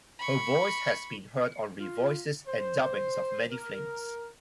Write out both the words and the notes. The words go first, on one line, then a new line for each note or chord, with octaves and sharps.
Her voice has been heard on re-voices and dubbings of many films.
B5 C#6
F4
C5
A#4